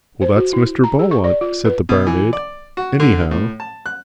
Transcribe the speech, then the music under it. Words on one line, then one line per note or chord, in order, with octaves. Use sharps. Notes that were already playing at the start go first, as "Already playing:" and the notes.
"Well, that's Mr. Beaumont," said the barmaid, "--anyhow."
C5
F#4
E4
A#5
G#4
C#6
D5
F4
B4
B2
E3
D5
F#4
D3
A2
A5
F#6